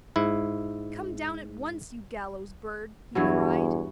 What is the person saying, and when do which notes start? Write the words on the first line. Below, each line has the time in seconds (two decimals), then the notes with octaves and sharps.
'Come down at once, you gallows bird,' he cried.
0.16 G#2 E4
3.15 E2 G2 E3 F#3